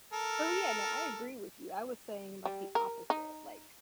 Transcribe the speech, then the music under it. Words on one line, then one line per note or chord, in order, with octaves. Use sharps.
Oh, yeah, no, I agree with you. I was saying, like, the opposite, like
A4 A#4
G3
A#4
D#4